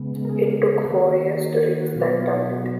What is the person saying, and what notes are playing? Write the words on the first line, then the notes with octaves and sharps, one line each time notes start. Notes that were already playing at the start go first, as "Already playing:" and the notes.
It took four years to reach that target.
Already playing: C#3 G#3 B3
A#4
G#4
A#4
G#4
G#4
D#3 A#3 F#4
F4
F#4
G#4
F#4
F#4
B2 F#3 B3 F4
F4
D#4
F#4